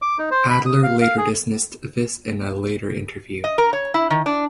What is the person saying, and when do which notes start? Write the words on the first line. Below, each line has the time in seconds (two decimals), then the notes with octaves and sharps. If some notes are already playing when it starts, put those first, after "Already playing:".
Adler later dismissed this in a later interview.
0.02 D6
0.18 D#4
0.31 C5
0.50 B5
0.66 D#6
0.83 F5
1.01 F5
1.18 G#4
3.44 D#5
3.58 A#4
3.73 C#5
3.94 E4
4.10 D#3
4.26 D4